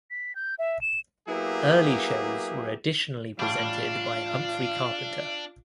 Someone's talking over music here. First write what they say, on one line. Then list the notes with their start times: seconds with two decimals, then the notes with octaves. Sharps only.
Early shows were additionally presented by Humphrey Carpenter.
0.11 B6
0.35 G6
0.59 E5
0.81 E7
1.29 F#3 A#3 B3 E4 G4 G#4
3.39 A2 E3 G3 D4 F4 F5